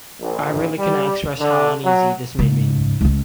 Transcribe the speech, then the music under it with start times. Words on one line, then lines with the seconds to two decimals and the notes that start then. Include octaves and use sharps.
I really cannot express how uneasy this made me.
0.21 A#1
0.78 G3
1.38 D3
1.84 F#3
2.39 G#2 C#3
3.01 C#2 C#4